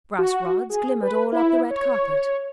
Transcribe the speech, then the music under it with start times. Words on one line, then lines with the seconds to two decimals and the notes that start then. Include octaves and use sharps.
Brass rods glimmered all up the red carpet.
0.19 F#4
0.70 G#4
1.03 B4
1.32 E4
1.71 C#5